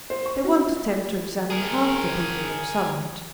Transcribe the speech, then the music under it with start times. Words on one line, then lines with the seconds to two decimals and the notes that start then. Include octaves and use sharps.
They won't attempt to examine half the people they have summoned.
0.10 C5
0.26 C#6
0.44 F#4
0.66 F4
1.50 G#4 A#4